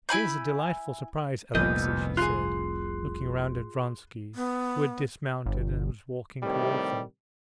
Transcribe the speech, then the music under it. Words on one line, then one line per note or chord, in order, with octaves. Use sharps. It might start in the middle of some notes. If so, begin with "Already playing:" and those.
"Here's a delightful surprise, Alexey!" she said, looking round at Vronsky, who had dismounted, and was walking towards them.
E4 G#5 B5 G6
F1 C2 F2 A#2 B3 D#5 G6
F4 G#4 C6 F#6 C7
B3
G1
A2 C3 D#3 G3